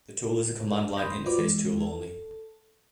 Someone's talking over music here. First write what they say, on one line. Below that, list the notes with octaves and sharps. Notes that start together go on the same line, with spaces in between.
The tool is a Command Line Interface tool only.
B5 C6 D#6 G6 A#6
F4 F#4 B4 C5 D5 D6
E3 G#3
A4